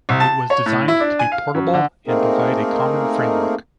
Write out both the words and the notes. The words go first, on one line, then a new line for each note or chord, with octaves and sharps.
It was designed to be portable and provide a common framework.
C2
A5
C#5
A2
E4
D4
G#5
F5
F#2
D3
A3 A#3 C4 D#4 G#4 A#4